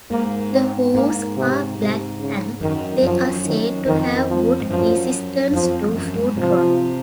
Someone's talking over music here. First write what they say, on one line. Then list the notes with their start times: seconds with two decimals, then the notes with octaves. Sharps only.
The hooves are black and they are said to have good resistance to footrot.
0.11 G#2 A#3
0.53 C4
0.94 G#2 A#3
1.36 C3
1.78 C3
2.20 C#3
2.61 F#2 D#3
3.03 F#2 F3
3.45 D#3
3.86 F2 D#3
4.28 F3
4.62 G#2
4.70 F#2 F3
5.53 F2 F3
5.88 F2
5.95 F#2
6.16 G#2
6.36 C3 F3